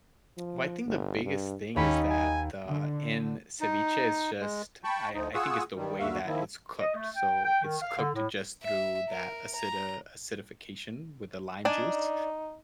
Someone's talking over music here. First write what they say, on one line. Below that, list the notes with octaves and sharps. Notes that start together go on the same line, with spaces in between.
Well, I think the biggest thing is that the in ceviche, it's just I I think it's the way that it's cooked. So, it's cooked just through that acid uh, acidification with the lime juice,
F3
G1
G2
D#2 C#4 D#4 B5 B6
G#5
D3
D#4
G#3
G5 A5 B5 C#6
D2 F3 D#4
F4 G#4 F#5 C#6 D#6 E6
G2 D#3 G3
D#2 D3 A#3 F#4 E5 F5
D#3 F3 A#3 E4
D#5
A3
G5
G5
D#3
F5
D3
A2
E5
A#4
A#5
D4 D#4 D5 G#5